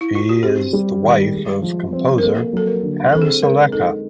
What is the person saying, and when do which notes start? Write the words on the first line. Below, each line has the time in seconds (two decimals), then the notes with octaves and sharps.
She is the wife of composer Hamsalekha.
0.01 E4
0.15 F4
0.29 F#4
0.43 C4 G4
0.73 G3
1.03 D#3
1.33 G#3
1.62 F3
1.93 C4
2.18 A#4
2.23 A#3 A4
2.53 F#3 A4
2.67 A#4
2.83 D3
3.13 C4 A4
3.22 G#4
3.31 A4
3.42 G#3 A#4
3.72 D#4 A4